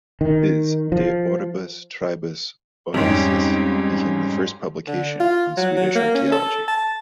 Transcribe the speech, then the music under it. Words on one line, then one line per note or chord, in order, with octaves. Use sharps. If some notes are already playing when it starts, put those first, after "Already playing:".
His "De orbibus tribus aureis" became the first publication on Swedish archaeology.
D#3
F3
F2 G#2 G3 C#4 G4
D3
F4
F#3
F#3
A#3
C#4
A4
A5